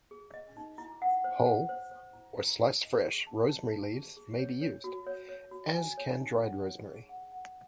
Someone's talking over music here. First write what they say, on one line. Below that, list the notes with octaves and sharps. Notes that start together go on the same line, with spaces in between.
Whole or sliced fresh rosemary leaves may be used, as can dried rosemary.
G#4
D#5
D#4
E4
F#5
C5
F#5
C5
C5
E4
E4
D#5
D#5
G#4
A5
A5
A5
G#4
G#4
C#5
C#5
F#4
C#5
C#5
F#4
G#5
C#5
D#4
F#5
C#5
G#4
F#5
F#5